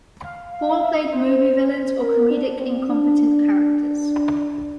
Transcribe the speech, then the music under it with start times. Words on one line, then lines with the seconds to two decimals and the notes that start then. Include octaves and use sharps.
Hall played movie villains or comedic incompetent characters.
0.24 F5
0.54 F5
0.83 E5
1.13 C5
2.01 A#4
2.30 D4
2.60 C4
2.89 D4